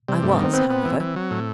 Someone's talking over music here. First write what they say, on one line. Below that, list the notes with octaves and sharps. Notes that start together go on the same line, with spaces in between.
I was, however.
C3 G3
G2 A3
B3
D#3 C4
B3 C4
B3
E3
E3
F#3
A2